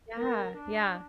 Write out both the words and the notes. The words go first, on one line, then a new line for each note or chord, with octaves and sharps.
Yeah, yeah.
A#4
D4